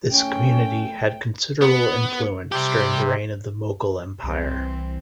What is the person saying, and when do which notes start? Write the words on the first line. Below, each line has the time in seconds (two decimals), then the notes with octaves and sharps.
This community had considerable influence during the reign of the Mughal Empire.
0.11 A3 C#4 G5
1.62 B3
2.52 C3 G3 G4
4.24 C2 E3 C4